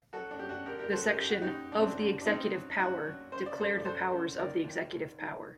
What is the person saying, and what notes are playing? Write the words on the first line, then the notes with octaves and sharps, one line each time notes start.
The section "Of the Executive Power" declared the powers of the executive power.
F#3 F#4 A4
D4
F#3 G4
D4 F#4
D2 G4 A#4
G4 A#4
F#3 A4 C5
G4 A#4
F#2 G4
F#4
F#2 D#4 G4
F#3 D4
C4
D4
F#2
D4
G2 C4 D#4
F#3
G2 D4 F#4
F#3
F#2 C5
D5
F#2 A4 C5
D5
F#3 A4 C5
F#2
D#2 A#4 D5
D#2
D#2
D#3